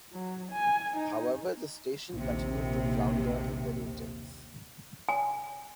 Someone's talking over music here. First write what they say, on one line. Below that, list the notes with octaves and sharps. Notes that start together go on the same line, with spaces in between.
However, the station continued to flounder in the ratings.
F#3
G#5
D#4
A#1 D#2 C3
G#5